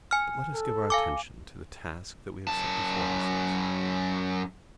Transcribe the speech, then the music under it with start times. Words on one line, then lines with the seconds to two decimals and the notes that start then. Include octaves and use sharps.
But let us give our attention to the task that we have set before ourselves.
0.11 G#5 F6
0.54 A4
0.90 F5 G#5 D6
2.48 F#2 A5